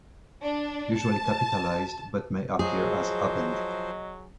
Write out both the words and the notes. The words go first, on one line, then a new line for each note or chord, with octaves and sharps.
Usually capitalized, but may appear as "abend".
D4
A5
F3 F#3 G#4 C5 D#5